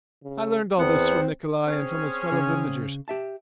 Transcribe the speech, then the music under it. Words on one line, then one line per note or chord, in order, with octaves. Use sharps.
I learnt all this from Nikolay and from his fellow villagers.
C#3
E2 B3 C4 F#5
C4 C#4 G#4
C#3
G4 E5 A5